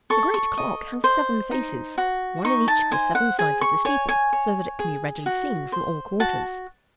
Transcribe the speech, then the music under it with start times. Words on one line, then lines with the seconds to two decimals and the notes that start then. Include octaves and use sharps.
The great clock has seven faces--one in each of the seven sides of the steeple--so that it can be readily seen from all quarters.
0.10 A4 C#6
0.34 C#6
0.57 D#5
1.04 C5
1.51 D#4
1.98 F#4
2.44 D#4 C#6
2.68 A5
2.91 C5 G#5
3.15 F#5
3.39 G#4 G#5
3.61 C#6
3.85 C#5 G#5
4.09 G#5
4.33 C#5
4.79 G#4
5.26 F#4
5.72 C5
6.20 F#4 A5